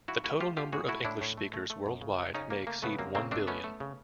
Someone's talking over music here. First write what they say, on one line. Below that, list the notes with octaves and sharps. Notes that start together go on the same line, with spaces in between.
The total number of English speakers worldwide may exceed one billion.
F3 E4 F#4
A3 E4 F#4
A3 F4 G4
A3 F4 G4
A2 F#4 G#4
A3 E4 F#4
A2 D4 E4
A2
A3
A3
A3
F#2
C#3
F#2
C#3 C#4 D#4
C#3 A#3
A3 A#3
C#3 A3 B3
F#2 A#3 C4
C#3 A#3 C4
A3 C4 D4
A3 B3 C#4
A3
C#3